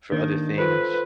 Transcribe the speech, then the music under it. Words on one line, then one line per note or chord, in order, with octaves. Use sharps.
for other things,
D#3 A#3 D4
F4 A4 B4 C5